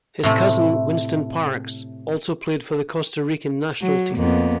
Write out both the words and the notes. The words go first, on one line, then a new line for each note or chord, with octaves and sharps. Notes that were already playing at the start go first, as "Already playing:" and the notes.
His cousin Winston Parks also played for the Costa Rican national team.
A2 C3 A3
F#3
F2 A#3 B3